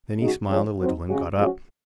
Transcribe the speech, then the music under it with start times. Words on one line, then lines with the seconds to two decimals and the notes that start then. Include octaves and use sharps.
Then he smiled a little and got up.
0.18 C#3 G#3 D#4 F#4
0.48 F3 G#3 C#4
0.79 F#3 C4 D#4
1.08 C#3 G#3 C#4 F#4
1.37 F3 G#3 C#4 F#4